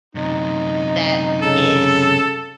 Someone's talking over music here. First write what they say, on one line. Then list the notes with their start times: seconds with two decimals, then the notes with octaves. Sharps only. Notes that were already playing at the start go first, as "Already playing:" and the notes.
that is
0.15 F#2 C3 D#4
1.42 C#3 A4